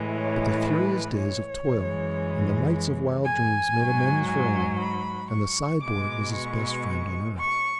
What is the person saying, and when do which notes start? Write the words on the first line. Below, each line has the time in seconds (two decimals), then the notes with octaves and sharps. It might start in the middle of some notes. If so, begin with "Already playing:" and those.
But the furious days of toil and the nights of wild dreams made amends for all, and the sideboard was his best friend on earth.
Already playing: A2 E3 G#3
0.15 C#5
0.67 B4
1.18 C#5
1.70 F#2 E3 G#3
3.24 G#5
3.76 G#2 F#3
4.28 G#5
4.79 B5
5.31 C#6
5.82 B2 G#3 D6
6.34 C#6
7.37 C#6